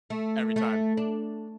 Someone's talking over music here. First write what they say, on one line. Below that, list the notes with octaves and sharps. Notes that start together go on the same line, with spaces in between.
every time.
A3
A3
D4